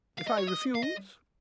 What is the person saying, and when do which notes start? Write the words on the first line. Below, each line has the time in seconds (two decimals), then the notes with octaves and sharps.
"If I refuse?"
0.19 F5
0.28 D#5
0.38 C#5
0.48 D#5
0.75 F5
0.83 D#5